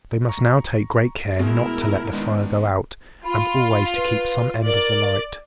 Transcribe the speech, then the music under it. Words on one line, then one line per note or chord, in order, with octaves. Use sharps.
They must now take great care not to let the fire go out, and always to keep some embers alight.
A#5 C#6
B2 G#3 A3 E4 A#4
D#3 G#3 B3 D4
F4 B5
B4
A#4 D5